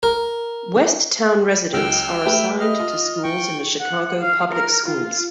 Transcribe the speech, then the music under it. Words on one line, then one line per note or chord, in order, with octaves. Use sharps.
West Town residents are assigned to schools in the Chicago Public Schools.
A#4
C#2 F#3 G5 E6 F6
A3 G4 B4
D#5 F6
F4
G5 C#6
F#5
F5
A#4
F4